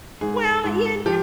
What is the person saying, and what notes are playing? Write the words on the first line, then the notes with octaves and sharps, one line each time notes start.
Well, you
G#2 G#4
G#2
F3 G4